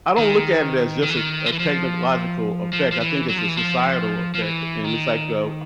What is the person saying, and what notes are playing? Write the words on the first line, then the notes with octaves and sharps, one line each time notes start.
I don't look at it as just a a technological effect, I think it's a societal effect, and it's, like, uh,
D#3
D#3
E3
D#3
F3
E3
F3
F3
F3
E3
F#3
F3
E3
F3
F3
E3
D#3